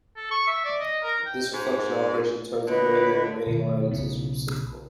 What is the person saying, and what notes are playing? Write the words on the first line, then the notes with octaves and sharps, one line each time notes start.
This reflection operation turns the gradient of any line into its reciprocal.
A4
C#6
E5
D5
D#5
A#4
G5
G#2
D3 B4 C#5 D#5
B2 D#3
B1 C#3 B3